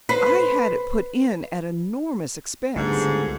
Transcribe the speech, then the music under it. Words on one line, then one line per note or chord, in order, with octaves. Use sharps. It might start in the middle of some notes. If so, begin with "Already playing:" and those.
I had it put in at enormous expense.
B4 C5
C#2 G#2 D3 G3 A3 B3